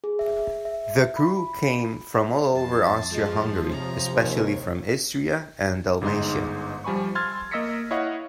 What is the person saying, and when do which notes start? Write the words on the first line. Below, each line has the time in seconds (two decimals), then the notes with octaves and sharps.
The crew came from all over Austria-Hungary, especially from Istria and Dalmatia.
0.04 G#4
0.19 E5
0.65 E5
1.17 B5
2.52 F2 A5 C6
3.11 F3 G#3
3.68 C3 C#5 A#5
4.13 D#2 C#5
6.01 G1 G#2 G#3 D#4 C6
6.84 F3 G3 G#5 B5 C#6
7.15 C6 E6 F6 G#6 A6
7.51 A#3 D#5 E6 A#6 B6 C#7
7.91 E4 C#5 D#5 F5 F#5